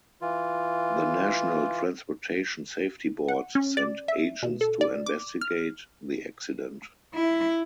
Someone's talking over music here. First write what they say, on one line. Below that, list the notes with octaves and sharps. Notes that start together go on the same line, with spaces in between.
The National Transportation Safety Board sent agents to investigate the accident.
E3 F4
F#5
C#4
D5
E5
B2
A4
D5
D6
F6
E4